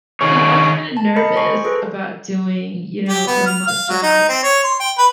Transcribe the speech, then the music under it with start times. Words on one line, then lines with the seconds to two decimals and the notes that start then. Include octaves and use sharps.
So, I was kinda nervous about doing, you know, a remote job,
0.21 D#3 G#4 C#5
0.97 A5
1.16 A#4 D#5 B5 C#7
1.36 C5 G#5 C#6 C7
1.64 G#4 A4 B4
3.09 G4
3.27 B3
3.47 F6
3.68 F5
3.89 F#3
4.03 D#4
4.29 C4
4.44 C#5
4.64 C6
4.80 G5
4.98 B4